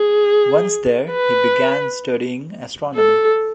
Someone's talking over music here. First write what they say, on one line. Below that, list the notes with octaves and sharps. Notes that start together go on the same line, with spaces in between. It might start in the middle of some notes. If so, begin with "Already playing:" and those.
Once there he began studying astronomy.
Already playing: G#4
B4
A4